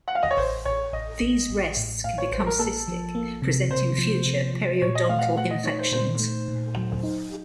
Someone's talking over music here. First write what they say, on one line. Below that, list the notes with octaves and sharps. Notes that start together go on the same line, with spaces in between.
These rests can become cystic, presenting future periodontal infections.
F#5
F5
D#5
C#5
A1 C5
A1 C#5
A1 D#5
A1
A1
A2
A2 F5
C#5
A1 C5
A4
A#4
A#3 A4
F3
A#3
C3
C3 C5
F3
C3
F3
A#2 C#5
D#5
A3 F5
F#5
F5
A3 F#5
D#5
D#4 C#5
C5
A#2 C5
A3
A#2
F#3
D#4